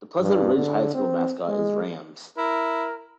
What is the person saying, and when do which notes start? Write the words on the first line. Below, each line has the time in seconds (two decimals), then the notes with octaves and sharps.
The Pleasant Ridge High School mascot is Rams.
0.21 G2
0.55 D3
0.94 C4
1.48 G#3
2.38 E4 A#4